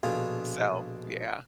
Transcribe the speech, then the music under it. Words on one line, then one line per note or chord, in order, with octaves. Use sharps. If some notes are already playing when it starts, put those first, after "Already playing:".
So, yeah.
A#1 B2 D3 F4 G#4